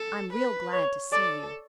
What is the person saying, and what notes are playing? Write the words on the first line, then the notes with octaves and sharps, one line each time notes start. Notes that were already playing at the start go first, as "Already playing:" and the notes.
I'm real glad to see you.
Already playing: A4
B4
C#5
A4 D5